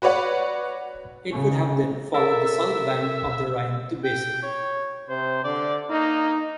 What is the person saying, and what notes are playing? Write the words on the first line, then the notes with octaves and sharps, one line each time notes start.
It would have then followed the south bank of the Rhine to Basel.
F#4 B4 C#5 D5 F#5
C#3
A4 A#4 E5
G5
C#5
C3 C5
D3 D5
A#3 D#4